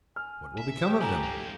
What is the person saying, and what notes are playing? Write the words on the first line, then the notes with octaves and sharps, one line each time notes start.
What will become of them?
G#5 F6
E5
G4 D#6
E3 E4 A4 G#5 A#5
G#2 A#3